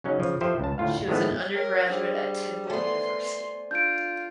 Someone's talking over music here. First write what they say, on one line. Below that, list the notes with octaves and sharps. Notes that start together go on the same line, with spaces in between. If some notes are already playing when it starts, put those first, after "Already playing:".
She was an undergraduate at Temple University.
C#3 F#3 C#4 D#4
C#3 F3
F3 G4 A4 C5 E5
C#2 A5
D2 A2 F4 F5
A2 D#3 F3 G#3 A3 B3
A#4 C#5 G5
G3 D4 G#4 C5
A3 B3 C5 D5 G#5 C6
D4 F4 G6 D7